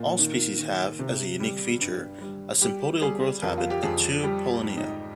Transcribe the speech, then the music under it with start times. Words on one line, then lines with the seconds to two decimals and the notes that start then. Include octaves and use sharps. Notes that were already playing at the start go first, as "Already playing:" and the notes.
All species have, as a unique feature, a sympodial growth habit and two pollinia.
Already playing: A#2
0.18 D#3
0.59 D#3
0.99 C3
1.40 G3
1.81 G2
2.21 G3
2.62 G3 G4
3.02 G3 G#4
3.42 F2 A#4
3.58 F4
3.70 G4
3.83 F2 G#4
4.23 G3 G4
4.63 G#2
4.77 D#4